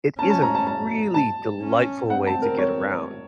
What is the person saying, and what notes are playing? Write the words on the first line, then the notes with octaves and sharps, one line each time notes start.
it is a really delightful way to get around
C#4 A5
A5
A#5
A5
A5
A5
C#4
C4 F#5
A5
A#4
C#5